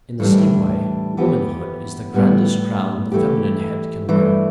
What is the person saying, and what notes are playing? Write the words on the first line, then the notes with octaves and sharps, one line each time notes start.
In the same way womanhood is the grandest crown the feminine head can wear.
A2 E3 G3 D4
E3 B3 G4
A2 G3 B3
E3 A3 G4
G2 E3 A3